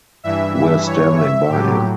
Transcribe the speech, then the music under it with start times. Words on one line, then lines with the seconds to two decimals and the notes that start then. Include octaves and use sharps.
We're standing by him.
0.23 G2 E3 E5
0.55 E5
0.86 C#5
1.17 E5
1.49 A2 F#3 G4